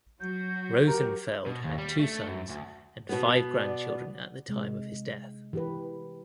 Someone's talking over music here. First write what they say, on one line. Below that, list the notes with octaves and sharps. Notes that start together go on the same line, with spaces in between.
Rosenfeld had two sons and five grandchildren at the time of his death.
F#3 F#4 G6
G4 A#4 A#5
B2
D#2
G3
A3
F#2
D2
B2 B3
D5
C3 G#3
E3 G4 B4